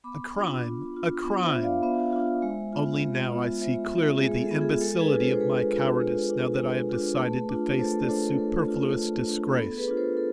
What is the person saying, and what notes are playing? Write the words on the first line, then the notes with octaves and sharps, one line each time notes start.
'A crime! a crime!' Only now I see clearly the imbecility of my cowardice, now that I have decided to face this superfluous disgrace.
B3 B5 D6
D4 F4
B3
D4 F4
B3
C5 E5
D4 F4
D5 F5
B3 C5 E5
D4 F4
G#3
B3 F4
G#3
B3 F4
G#3 C5 E5
B3 F4
G#3 G#4
A4
B3 F4
G#4
G#3 A4
G#4 B4
D4 F4
A4 C5
C5
G#3 G#4 B4
D4 F4
G#3
D4 F4
G#3
D4 F4
A3
D4 F4
A3 A4 C5
D5
D4 F4 A4 C5
A3 A4
D4 F4
A3
D4 F4
B3 A4
G#4 B4
D4 F4
A4 C5
A4